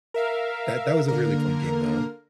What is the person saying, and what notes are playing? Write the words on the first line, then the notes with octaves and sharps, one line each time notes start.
that that was a really fun game, though.
A#4 E5 F5
D3 A#3 A#4